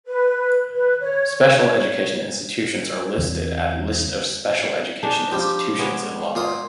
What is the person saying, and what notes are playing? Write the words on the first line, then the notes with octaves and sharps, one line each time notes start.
Special education institutions are listed at List of special education institutions in Lahore.
B4
B4
C#5
E2 D3 E3 C4
D4 D#4 G#4
F3 G3 G4
G#3 B3 C#5
A#2 F4 D#6